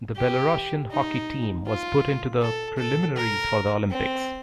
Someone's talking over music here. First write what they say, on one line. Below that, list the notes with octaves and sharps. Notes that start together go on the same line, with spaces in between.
The Belorussian hockey team was put into the preliminaries for the Olympics.
G4
D#4
F4
A4
A4
A#4
C4